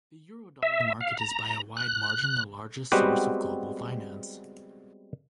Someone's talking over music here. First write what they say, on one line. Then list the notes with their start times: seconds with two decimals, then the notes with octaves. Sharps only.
The Eurodollar market is by a wide margin the largest source of global finance.
0.63 E5
1.01 F5
1.19 A#5
1.77 F#6
2.92 G3 G#3 B3 C4 F#4 G4